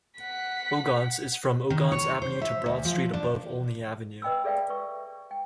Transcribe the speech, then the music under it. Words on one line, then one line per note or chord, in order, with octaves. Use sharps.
Ogontz is "from Ogontz Avenue to Broad Street above Olney Avenue".
F#5 B6
D#3
C#5
C5
E5
D2
F3
D4
B4 D#5 G5 B5 E6
G#4 A4 D5 E5 F5 G5
B4 C#6
G5